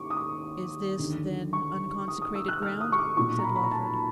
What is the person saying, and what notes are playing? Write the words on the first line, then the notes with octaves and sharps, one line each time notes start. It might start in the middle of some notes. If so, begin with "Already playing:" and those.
'Is this, then, unconsecrated ground?' said Lawford.
Already playing: D#2 C#6 D6
D#6
D6
D#2 D3
C#6
D#6
D#6
E6
F#6
F6
D#6
C#6
D6
B1 A#2 C#6
A#5
B5
B5
A#5
A5